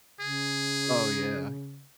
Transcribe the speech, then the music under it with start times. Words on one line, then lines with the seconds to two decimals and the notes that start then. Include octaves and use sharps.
Oh, yeah.
0.20 C#3 G#4